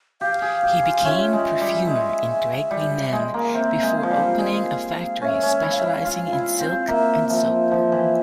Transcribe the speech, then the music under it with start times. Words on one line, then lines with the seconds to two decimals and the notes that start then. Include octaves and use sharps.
He became perfumer in Draguignan before opening a factory specializing in silk and soap.
0.21 G4 F5
0.42 G#4
0.63 G4
0.83 F4
1.05 C#4 E5
1.33 G#3
1.61 G3
1.87 G#3
2.71 G3
3.13 G#3
3.34 A#3
3.54 C4 E5
3.83 G#3
3.97 F5
4.03 F3
4.11 G3
4.38 G#3
5.21 C#4 E5 F5
5.43 C#4
5.63 E4
5.71 F5
5.79 E5
5.84 E4 F5
6.05 F4
6.32 E4
6.60 C4
6.88 A#3 E5
7.30 F3 E5
7.72 F3
7.92 E3